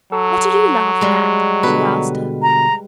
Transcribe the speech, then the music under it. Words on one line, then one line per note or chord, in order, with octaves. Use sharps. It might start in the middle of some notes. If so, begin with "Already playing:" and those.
"What are you laughing at?" she asked her.
F#3 A4
G3 G#3
B2 D3 B4
A#5